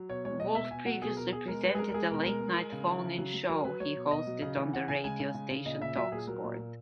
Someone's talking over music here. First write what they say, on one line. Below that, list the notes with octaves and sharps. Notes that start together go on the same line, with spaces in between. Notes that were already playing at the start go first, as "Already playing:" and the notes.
Wolf previously presented a late-night phone-in show he hosted on the radio station Talksport.
Already playing: F#3
B2 C#5
G#3 C#5
B2 D#5
B2 E5
B2 G#5
F#3 F#5
B2 G#4
B2 A#4
B2 G#4
G#3 A#4
G#3 B4
G#4
G#3 A#4
A#4
G#3 G#4
B2 A#4
G#3 A#4
G#3
G#3
C#3
E3
C#3
F#3
F#3
F#3 A#4
F#3 B4
F#3 C#5
B2
B2 D#5
F#3
C#3
E3
C#3 F#5
C#3 G#5
G#3 G#5
C#3
C#3
C#3
A#2 D#5
A#2 E5
F#3 E5
A#2 G#4
F#3 A#4
A#2
A#2